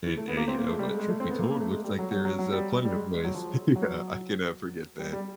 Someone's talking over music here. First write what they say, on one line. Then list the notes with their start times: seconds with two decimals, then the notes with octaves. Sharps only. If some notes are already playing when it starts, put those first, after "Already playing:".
and and, you know, but, truth be told, looks like there is, uh, plenty of ways yeah, I can, uh, forget that.
0.06 E3
0.17 A3
0.28 B3
0.37 A#3
0.48 C4
0.58 A#3
0.68 A3
0.73 G#3
0.79 G3
0.89 G#3
1.00 G#3
1.09 A3
1.20 C4
1.30 B3
1.39 A#3
1.51 A#3
1.60 A3
1.71 G#3
1.84 G3
1.99 F#3
2.11 F#3
2.25 F#3
2.39 F#3
2.52 G3
2.85 G3
2.94 G#3
3.14 G#3
3.24 F#3
3.34 F3
3.76 F#3
4.99 G3
5.13 G3